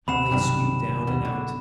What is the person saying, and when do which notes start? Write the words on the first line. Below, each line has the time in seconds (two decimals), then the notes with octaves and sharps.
How they sweep down and out!
0.08 D2 C4 F#5 B5 E7
0.31 B1 G2 C3 D#3 D4
1.07 D#2 B2
1.25 B2 D3